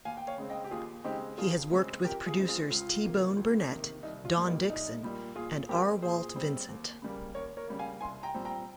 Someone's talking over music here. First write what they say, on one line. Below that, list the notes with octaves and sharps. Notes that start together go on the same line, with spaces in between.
He has worked with producers T-Bone Burnett, Don Dixon, and R. Walt Vincent.
D#2 F5 G#5
G5
C#5 F5
C#3 G#3 C4
D#5 G5
G4
D#2 F4 G#4
C#3 G#3 C4 D#4 G4
F2 F4 G#4
C#3 G#3 C4
F2 G4 A#4
F4 G#4
C#3 G#3 C4
F4 G#4
C#2 F4
C3 D#3 A#3
C#2
C3 D#3 A#3
C2 D#4
F4
A#2 G3 A#3
D#4
C2 D#4
A#2 G3 A#3
A#2 F4 G#4
G3 C4 G4 A#4
A#2 G#4 C5
G3 C4
D#2
C#3 G3 A#3
D#2 A#4 C#5
A#4 C#5
C#3 G3 A#3
F5 G#5
C2 G#5 C6
G5 A#5
A#2 G3 C4
G5 A#5